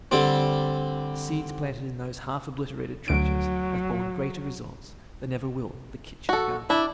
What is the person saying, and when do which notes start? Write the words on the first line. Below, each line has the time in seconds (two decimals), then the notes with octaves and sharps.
The seeds planted in those half-obliterated trenches have borne greater results than ever will the kitchen-garden.
0.11 D3 G3 C4
3.08 D2 F#3 D7
6.29 F#4 A4
6.70 D4 E4